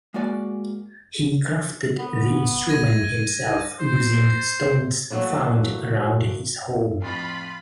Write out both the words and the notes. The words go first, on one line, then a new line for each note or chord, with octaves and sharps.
He crafted the instrument himself using stones found around his home.
G#3 A#3 F#4 D5 G#5
B3
G#6 A#6 D#7
C2
C5
E3 F#3 A3 A#3 D4
F2 A2 F3 F4 B5